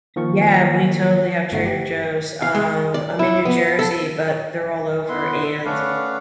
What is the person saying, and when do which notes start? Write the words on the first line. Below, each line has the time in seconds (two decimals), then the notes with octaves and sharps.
Yeah, we totally have Trader Joe's. Um, I'm in New Jersey, but they're all over and
0.16 D#3 F3 A#3 C#6
1.52 G1 A3 D#4 F#5 C7
1.66 G4
2.42 F5
2.55 G#3
2.94 D5
3.19 E4
3.45 B3
3.79 A4
5.08 B3 E4 B4 C6
5.65 A3 C#4 B4 D5 F5 F#5